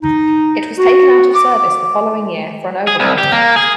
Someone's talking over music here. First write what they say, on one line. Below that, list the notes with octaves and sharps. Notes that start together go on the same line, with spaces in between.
It was taken out of service the following year for an overhaul.
D#4
F#4
D6
G#4
C2
G4
A#3
G#4